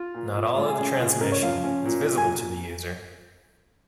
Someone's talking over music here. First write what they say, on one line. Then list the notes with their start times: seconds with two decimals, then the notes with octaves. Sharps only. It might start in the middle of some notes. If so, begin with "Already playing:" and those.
Not all of the transmission is visible to the user.
Already playing: F4
0.14 A#2
0.36 A#2
0.57 G#3 F4
0.68 G#4
0.78 C#4 G#4
0.89 G#4
1.00 C#3 F4
1.10 G#4
1.21 C#3 A#4
1.32 C#5
1.42 F3 F5
1.64 C#4
1.85 A#2
2.06 A#2
2.18 G#5